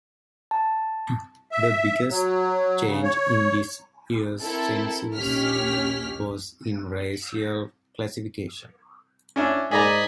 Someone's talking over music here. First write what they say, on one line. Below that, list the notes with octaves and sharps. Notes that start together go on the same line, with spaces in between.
The biggest change in this year's census was in racial classification.
A5
E5
F#3
C#3
C#5
C4 E4 A4 A#4
A#1 D#2 C#4 G4 F6 B6
C#4 D4 E4
G#2 G#4 D5 D#5 G#5 A#5 B5